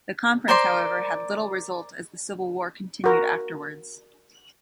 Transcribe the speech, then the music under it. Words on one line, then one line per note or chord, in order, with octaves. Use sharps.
The conference, however, had little result as the civil war continued afterwards.
A#4 C5 D5 C6
F#4 A#4